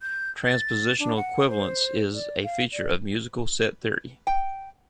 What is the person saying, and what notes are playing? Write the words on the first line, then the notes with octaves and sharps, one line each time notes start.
Transpositional equivalence is a feature of musical set theory.
G6
A6
D4
F#5
C5
D5
F5
D5
G5